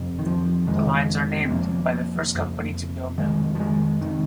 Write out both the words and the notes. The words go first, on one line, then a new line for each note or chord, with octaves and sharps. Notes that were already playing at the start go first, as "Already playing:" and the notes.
The lines are named by the first company to build them.
Already playing: F2 C3
D#3
F3
F2 C3 D#3 G#3
C4
F2 C3 F3 A#3
F2 C3
F2 C3 D#3 G#3
F3
D#3 G#3
C3 D#3